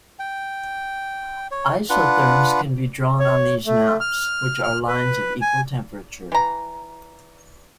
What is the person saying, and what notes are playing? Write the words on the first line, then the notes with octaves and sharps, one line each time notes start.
Isotherms can be drawn on these maps, which are lines of equal temperature.
G5
C#5
D4 F4 B4 F#5
C#5
A3
F6
F6
B4
G#5
E3 A#5